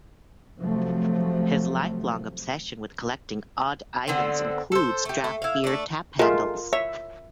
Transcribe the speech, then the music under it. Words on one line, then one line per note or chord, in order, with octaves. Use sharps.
His lifelong obsession with collecting odd items includes draft beer tap handles.
C3 F3 F#3 A3
D3 B3 C4
A4 C5
A3 G4
A3
E4 F5
A3 D4
G#3 A3 F4 A#4
C#5 E5